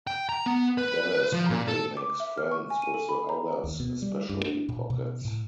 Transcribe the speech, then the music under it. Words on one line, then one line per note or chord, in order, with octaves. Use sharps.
Dallas quickly makes friends with the others, especially Pockets.
G5
A#5
B3
B4
F3
A#2
A4
D6
E5
F6
C#6
G#5
D#7
A4
B5
A#5
D#2
B2
G3
G2
D4
A#2
B2
A2